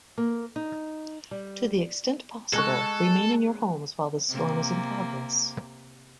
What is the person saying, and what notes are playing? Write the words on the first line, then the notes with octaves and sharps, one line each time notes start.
To the extent possible, remain in your homes while this storm is in progress.
A#3
D#4
G3
G#3 A4 C#6 F#6 G#6
C3 A#3